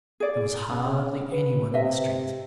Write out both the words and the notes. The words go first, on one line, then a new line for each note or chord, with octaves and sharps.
There was hardly anyone in the streets.
G#4 D5
C#3
B4
C3 D#5 E5